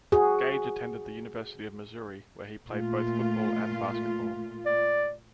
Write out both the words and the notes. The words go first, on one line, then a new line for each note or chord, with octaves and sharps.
Gage attended the University of Missouri where he played both football and basketball.
F#4 G#4
A#2 A3 F4
D5